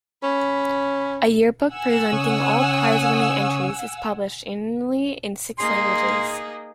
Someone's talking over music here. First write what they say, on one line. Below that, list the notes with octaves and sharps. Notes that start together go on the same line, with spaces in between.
A yearbook presenting all prizewinning entries is published annually in six languages.
C#4 B5
F#5 G#5 E6
C#3 C#5 D#6
A#3 D#4 G#4 C6